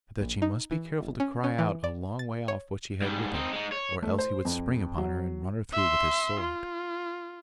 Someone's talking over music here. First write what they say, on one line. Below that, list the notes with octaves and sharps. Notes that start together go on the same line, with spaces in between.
But that she must be careful to cry out a long way off what she had with her, or else he would spring upon her and run her through with his sword.
A#1
D#4
E3
G1
C#4
C#4
E3
D5
A6
C#5
G#2 G3
C4 D#4
G#3 D#4
C#5
A3
C5
F2
F#3
E5 C6
F4